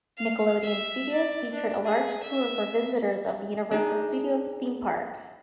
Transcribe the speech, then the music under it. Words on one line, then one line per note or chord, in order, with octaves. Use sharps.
Nickelodeon Studios featured a large tour for visitors of the Universal Studios theme park.
F5
E5
D5
D4
G#4
E5
D4 D#4 G#4